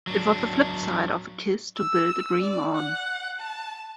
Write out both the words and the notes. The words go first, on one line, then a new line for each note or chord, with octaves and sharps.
It was the flip side of A Kiss to Build a Dream On.
F#3 D4
E6
D5
F#5
A5